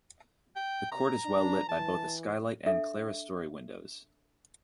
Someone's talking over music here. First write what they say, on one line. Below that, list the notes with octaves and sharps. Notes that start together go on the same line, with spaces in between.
The court is well lit by both a skylight and clerestory windows.
G5
C3 A#5
D4
E3 A5
D4 A4 E5